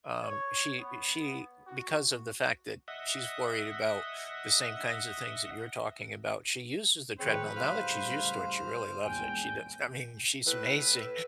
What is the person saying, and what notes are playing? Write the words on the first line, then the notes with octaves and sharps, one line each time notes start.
um, she eh, she because of the fact that she's worried about the same kinds of things that you're talking about, she uses the treadmill now that she's used to it, she really loves it, she does I mean, she's amazing.
C#5
B3
F#4
D#5 E5 F#5
G#1 F3 C4 G#4 B4 C#5
A2 C#3 G3 C5 F5 F6
A#1 E2 G#3 G5 G#5
A2 E4 B4